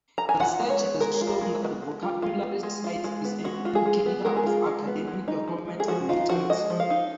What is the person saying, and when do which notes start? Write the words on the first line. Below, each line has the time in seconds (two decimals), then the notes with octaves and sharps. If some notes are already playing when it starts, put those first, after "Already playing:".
Research has shown that vocabulary size is an indicator of academic performance and literacy.
0.18 A#5
0.29 G#5
0.40 F4 F#5
0.60 G#3
0.70 C#5
0.81 B3
1.01 G#3 A#4
1.14 G#4
1.21 F4
1.27 A#4
1.41 G#3
1.62 B3
1.82 G#3
2.03 F4
2.22 G#3 F4
2.43 B3
2.63 G#3
2.84 F4
3.04 G#3
3.25 B3
3.44 G#3 F#4
3.65 F4
3.75 G#4
3.86 G#3
4.06 B3
4.25 G#3 A#4
4.37 G#4
4.46 F4
4.66 G#3
4.87 B3
5.07 G#3
5.28 D#4
5.48 F3
5.68 G#3
5.80 G#4
5.88 F3 F#4
6.09 D#4 F4
6.29 F3 F#4
6.49 G#3 D#5
6.70 F3
6.80 F5
6.90 D#4